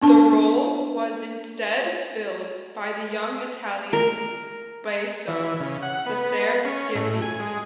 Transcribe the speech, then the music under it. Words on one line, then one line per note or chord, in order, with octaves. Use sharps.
The role was instead filled by the young Italian basso, Cesare Siepi.
B3 D4 A5
A#4
E3
C#3
F#5
B3
C#4
A2
G#5
G#3